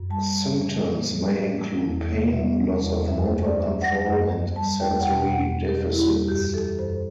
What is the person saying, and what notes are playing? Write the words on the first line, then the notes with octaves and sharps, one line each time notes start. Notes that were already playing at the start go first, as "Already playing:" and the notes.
Symptoms may include pain, loss of motor control, and sensory deficits.
Already playing: F#2
G3 A5
A2
E3
A2
G3
A2
E3
E2
C3
G3 E5
E3
E2
F#2 E5
C5
F#2
D5
F#3
E5
F#3 F#5
F#2 F#5
F#2
G3 A5
E2 G5
F#5
B2 G5
E2 F#5
G3
G4
E2
E4
G3 F#4
F#2 G4
E3 A4
F#2 C5